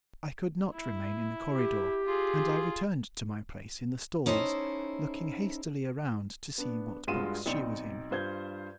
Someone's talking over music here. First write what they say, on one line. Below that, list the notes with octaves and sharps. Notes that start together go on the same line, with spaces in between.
I could not remain in the corridor, and I returned to my place in the stalls, looking hastily around to see what box she was in.
E4
G4
F4 G#4
C#4 D#4 E4 A4 C5
B3 D4
G2 G#3 F4 F#4 D#7 E7
B1 C4 D#4 D5 C#7
G2 F4 C5 G6 G#6 G7